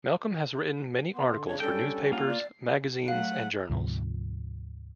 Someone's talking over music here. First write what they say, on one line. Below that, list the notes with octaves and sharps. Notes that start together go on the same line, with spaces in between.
Malcolm has written many articles for newspapers, magazines and journals.
B3 C6
D3
C#3 D4 C#5
G3 C#4 D4 A4 G5
A#3 F4 F#5
D5
F#3 A3 F5 F#5
D2 G#2 C3 F3